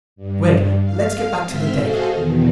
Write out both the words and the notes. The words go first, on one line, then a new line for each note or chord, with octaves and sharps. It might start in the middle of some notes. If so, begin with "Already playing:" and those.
"Gregg, let's get back to the deck."
G2
F5
G#2 C4 E5 C6 F6 B6
F#4 G#4 A4 C5 D#5 F5
E2 B2 D#3